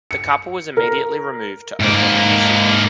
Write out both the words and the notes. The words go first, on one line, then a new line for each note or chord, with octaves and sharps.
The couple was immediately removed to Oklahoma City.
C#7
A#4
G#2 A#3